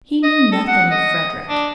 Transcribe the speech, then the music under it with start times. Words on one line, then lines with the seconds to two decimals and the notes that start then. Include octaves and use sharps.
He knew nothing of Frederick.
0.23 D#5
0.52 A4
0.67 F#5
0.91 D#5
1.49 D4